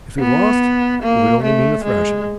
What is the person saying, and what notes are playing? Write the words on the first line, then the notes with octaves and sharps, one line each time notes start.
If he lost, it would only mean a thrashing.
B3
A#3
A3
G#3